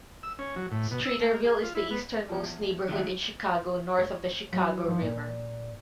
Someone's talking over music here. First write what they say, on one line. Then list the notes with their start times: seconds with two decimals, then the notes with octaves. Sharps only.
Streeterville is the easternmost neighborhood in Chicago north of the Chicago River.
0.23 E6
0.39 C#4
0.56 F#3
0.71 A2
0.91 B2
1.05 E6
1.20 A3
1.32 A#3
1.45 G#4
1.63 F4
1.75 E4
1.91 B3
2.29 E2 F3
2.89 C#2 C3 D#3 F#3 A3
3.99 C#5
4.52 F#3
4.88 F3
5.01 A#2